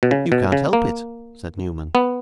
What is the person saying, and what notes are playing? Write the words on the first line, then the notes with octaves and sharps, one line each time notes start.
'You can't help it,' said Newman.
B2
C#3
B2
C#3
A#3
B3